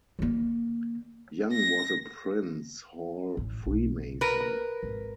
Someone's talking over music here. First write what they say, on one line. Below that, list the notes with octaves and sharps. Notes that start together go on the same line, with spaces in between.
Young was a Prince Hall Freemason.
D3 A#3
A#6
A1
B1
A#4 B4
G#1